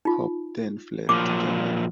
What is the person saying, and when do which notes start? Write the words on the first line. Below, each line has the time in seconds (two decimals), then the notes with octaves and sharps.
Hopp then fled to Germany.
0.05 D#4 F4
1.09 A#2 F3 F#3 D6